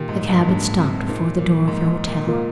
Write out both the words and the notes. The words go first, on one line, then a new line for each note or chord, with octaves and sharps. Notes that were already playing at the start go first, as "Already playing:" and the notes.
The cab had stopped before the door of her hotel.
Already playing: A#2 D#3 A#3 D#4 G4 A#4
G#2
G2
G#2 A#3 D4 G#4 C5
C3
A#2 C4 D#4 G#4 C5
A#2
G#2 F3 A#3 D#4 A#4
G#2
A#2
A#3 F4 A#4